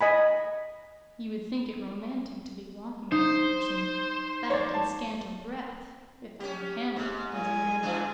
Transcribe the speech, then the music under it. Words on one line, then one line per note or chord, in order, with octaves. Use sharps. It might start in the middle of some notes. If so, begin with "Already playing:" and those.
You would think it romantic to be walking with a person "fat and scant o' breath" if I were Hamlet, Prince of Denmark.
D#5 G#5 B5
D#4 C5
C#5 D5
A5
C#4 G4
G#2
A2 G#3 G#5
G#2 E3 D4